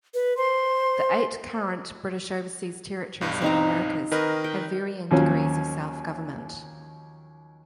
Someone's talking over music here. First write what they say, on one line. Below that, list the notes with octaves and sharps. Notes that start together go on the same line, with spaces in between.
The eight current British overseas territories in the Americas have varying degrees of self-government.
B4
C5 C6
B1 G2
C4 D#4 A#5
D#3 A#4 B4 D#5
G5
D#2 F3 F#3 C#4